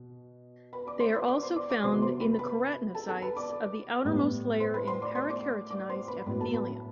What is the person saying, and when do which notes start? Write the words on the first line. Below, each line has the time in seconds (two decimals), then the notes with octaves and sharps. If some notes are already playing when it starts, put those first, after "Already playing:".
They are also found in the keratinocytes of the outermost layer in parakeratinised epithelium.
Already playing: B2
0.73 B4 B5
0.87 D5 D6
1.00 C5 C6
1.15 B4 B5
1.28 D5 D6
1.42 C5 C6
1.56 D5 D6
1.70 D5 D6
1.83 C3 F#3 B3 C5 C6
2.02 C5 C6
2.21 B4 B5
2.39 B4 B5
2.95 A4 A5
3.08 A4 A5
3.22 B4 B5
3.37 D5 D6
4.05 A2 G3 B3
4.60 C5 C6
4.74 B4 B5
4.87 C5 C6
5.02 D5 D6
5.15 C5 C6
5.30 D5 D6
5.70 D5 D6
5.89 C5 C6
6.08 B4 B5
6.26 A2 F#3 B3 B4 B5
6.40 A4 A5
6.54 B4 B5